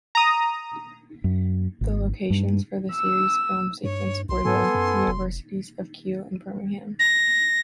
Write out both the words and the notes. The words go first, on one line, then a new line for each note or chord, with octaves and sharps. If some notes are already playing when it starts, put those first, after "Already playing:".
The locations for the series' filmed sequences were the universities of Keele and Birmingham.
A#5 D#6
F#2
G#1
G2
E6
G2 C#5
B1 C6
G#2 B3 A4 G#5
F#2
F1
A#6